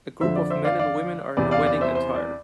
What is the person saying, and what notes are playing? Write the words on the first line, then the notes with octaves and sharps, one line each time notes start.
A group of men and women are in wedding attire.
F2 D3 F3 C5 E5
D5
C5 E5
D5 F5
D5 F5
E2 C3 E3 D5
D5 F5
D5
C5 E5
C5
D5